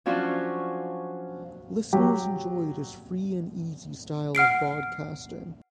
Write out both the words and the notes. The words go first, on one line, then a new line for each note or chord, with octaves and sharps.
Listeners enjoyed his free and easy style of broadcasting.
F3 F#3 C#4 D4 F4 F#4
F#3 G4
F#5 F6 C7 D7